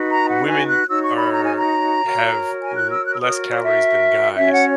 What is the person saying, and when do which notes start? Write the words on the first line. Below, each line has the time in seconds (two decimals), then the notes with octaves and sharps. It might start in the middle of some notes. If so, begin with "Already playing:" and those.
women are have l less calories than guys
Already playing: D#4 F#4 B4
0.10 A#5
0.29 F#5
0.49 G#5
0.68 F#6
0.88 D#4 F#4 C#5 E6
1.02 C#6
1.17 B5
1.32 A#5
1.44 G#5
1.56 A#5
2.04 F#4 A#4 C#5
2.63 G#5
2.76 F#6
2.92 E6
3.06 F#6
3.14 E6
3.20 F#4 A#4 C#5 D#6
3.50 C#5
3.64 E5
4.37 C#4 F#4 C#5 E5
4.52 F#5